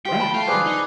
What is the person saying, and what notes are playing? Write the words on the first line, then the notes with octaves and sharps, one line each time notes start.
right? Yeah,
G4 C5 G5
A5 B5
A3 F4 G5
D4 G#4 B4 C5 B5
D#4